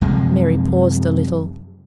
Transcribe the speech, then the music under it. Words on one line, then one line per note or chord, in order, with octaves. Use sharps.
Mary paused a little.
F#2 C3 F3 G#3